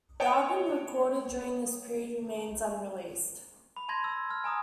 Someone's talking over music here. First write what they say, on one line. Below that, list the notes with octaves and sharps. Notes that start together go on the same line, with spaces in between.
The album recorded during this period remains unreleased.
C#5 D#5 G5 A5
B5
A5 C6 G#6 A#6
E6
A5 F6
G#5 A#5 D#6